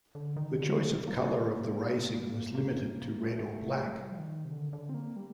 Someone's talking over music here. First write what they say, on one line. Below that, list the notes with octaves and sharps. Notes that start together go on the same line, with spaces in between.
The choice of colour of the Racing was limited to red or black.
D3
D#3
D3
D#3
G3
A#3
A#3
A3
G3
F3
D#3
C3
D3
D3
C4
A#3
G3